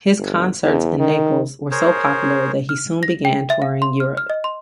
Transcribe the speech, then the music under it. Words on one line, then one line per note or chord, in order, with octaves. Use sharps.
His concerts in Naples were so popular that he soon began touring Europe.
G1
E2
D#3
G#4 A#4 C5 C#5
F6
A#6
G5
E5
F5
C6
F6
F6
D#5
C6